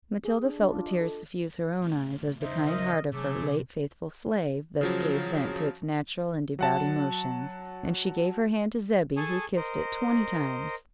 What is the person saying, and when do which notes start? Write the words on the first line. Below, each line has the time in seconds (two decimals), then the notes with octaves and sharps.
Matilda felt the tears suffuse her own eyes, as the kind heart of her late faithful slave thus gave vent to its natural and devout emotions; and she gave her hand to Zebby, who kissed it twenty times.
0.25 G#4
0.45 D4
0.62 D4
0.73 F4
0.87 D#5
1.01 A4
1.82 A2 C3
2.41 C#3 G3 D#4 C5 E5
2.67 A#4 D#5
3.12 C3 F#3 A3 G#4 D6
4.81 C#3 F3 F#3
6.59 F#3 F#5 A5
9.17 G#4 A4 G#5 A5 C#6 D#6
9.57 A#4 C5 D#5